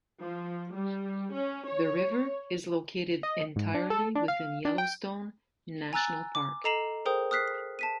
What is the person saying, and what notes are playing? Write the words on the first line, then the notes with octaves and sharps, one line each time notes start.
The river is located entirely within Yellowstone National Park.
F3
G3
C#4
C#5
D#5
G#2
D4
A4
D4
F5
D4
G5
G#5 A#5 E6 F#6 A6
D6
A4 D#5 A#5 C7 E7 F#7
G#4 A#4 C5 G5 D#6
D#6 F6 F#6 B6 C7
A5 B6 D#7